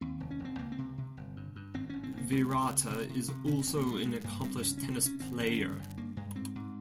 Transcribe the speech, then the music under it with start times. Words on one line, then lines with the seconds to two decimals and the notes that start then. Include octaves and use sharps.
Virata is also an accomplished tennis player.
0.01 D#2 C4
0.20 F1
0.31 C#4
0.39 F1
0.45 C4
0.58 C#2 A#3
0.72 C4
0.78 C3
0.98 C3
1.17 G1
1.36 G2
1.56 G2
1.74 G#1 C4
1.89 G#1 C#4
2.03 C4
2.13 G#1 A#3
2.32 C#2 C4
2.51 C#2
2.71 C#3
2.90 C3
3.09 C3
3.28 C3
3.47 A#2 C#4
3.61 C4
3.67 A#1
3.76 A#3
3.86 A#2 G3
4.05 G2 G#3
4.24 G2 A#3
4.44 G2 C4
4.62 C#2 C#4
4.77 C3 C#4
4.92 C4
5.01 C3 C#4
5.20 G#1 C4
5.40 G#1
5.50 C#4
5.59 G2
5.79 G1
5.97 G2 A#3
6.17 G2 G#3
6.36 G#2 C4
6.55 G#2